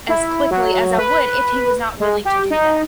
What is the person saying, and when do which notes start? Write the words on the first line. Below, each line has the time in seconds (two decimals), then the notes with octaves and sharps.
as quickly as I would if he was not willing to do that,
0.09 E4
0.51 F#3
0.99 B4
2.00 G#3
2.25 G4
2.50 D#4